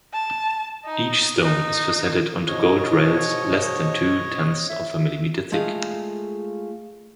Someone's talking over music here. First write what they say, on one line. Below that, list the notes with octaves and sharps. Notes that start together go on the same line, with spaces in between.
Each stone is faceted onto gold rails less than two-tenths of a millimeter thick.
A5
D#4
D#4
G#2 B2 C#5 D#5
E5
G#3 A3 F4 G#4 F5